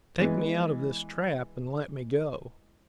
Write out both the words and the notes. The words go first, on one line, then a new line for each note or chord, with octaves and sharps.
Take me out of this trap and let me go.
E3 G#3 B3